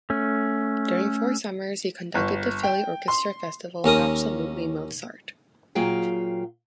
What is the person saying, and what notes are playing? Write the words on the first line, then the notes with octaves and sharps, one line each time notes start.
During four summers, he conducted the Philly Orchestra Festival "Absolutely Mozart".
A3 C#4
G1
G5
C6
D#2 C#4 A#4 D#6
A#2 F#3 G#4 F5 G5